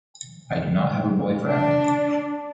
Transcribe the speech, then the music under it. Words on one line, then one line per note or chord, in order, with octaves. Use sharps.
I do not have a boyfriend.
D4